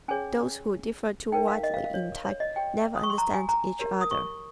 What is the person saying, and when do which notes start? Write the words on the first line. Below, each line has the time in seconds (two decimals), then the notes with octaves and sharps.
Those who differ too widely in type never understand each other.
0.08 C#4 G#4 C#5 G#5
1.32 D#4 A#4 C#5 G5
1.48 F5
1.63 D#5
1.74 F5
1.84 F5
1.94 C#5
2.25 C#5
2.40 D#5
2.56 G4 C#5 G5
2.96 D#6
3.03 C#6
3.10 C6
3.18 A#5
3.34 G#5
3.49 A#5
3.79 G4 A#4 C#5
4.01 D#6
4.11 C#6